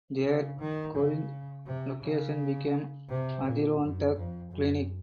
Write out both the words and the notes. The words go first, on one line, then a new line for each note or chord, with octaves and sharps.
Their "Corinth" location became "Adirondack Clinic".
C#3
D#3
C#3
C3
C#3
C3
A#2
F#2
F2
F#2